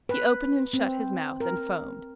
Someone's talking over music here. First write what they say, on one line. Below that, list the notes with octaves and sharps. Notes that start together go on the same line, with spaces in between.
He opened and shut his mouth and foamed.
B4
C4
A#4